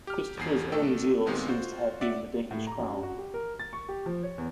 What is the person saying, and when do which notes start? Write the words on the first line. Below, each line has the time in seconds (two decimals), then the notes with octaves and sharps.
Christopher's own zeal seems to have been the Danish crown.
0.07 G4 F6
0.37 G#1 E2 C7
0.72 A#1 A3 A4 G5
1.26 A#2 D#3 G#3 B3 C4 F4
1.48 F4 F#4 C5
2.01 D5 E5 F#5
2.51 A2
2.67 A#5
2.79 F#2
3.03 F#4
3.18 G4
3.34 A#4
3.59 A6
3.73 C#6
3.89 G4
4.06 F3
4.23 C#5
4.38 E2